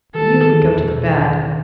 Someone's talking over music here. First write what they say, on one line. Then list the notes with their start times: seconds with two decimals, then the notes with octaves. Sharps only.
You can go to the bad.
0.14 D#3 A4
0.30 D#3
0.46 G#4
0.62 E2
0.78 B2
0.93 B2
1.09 D#3
1.25 D#3
1.41 C#4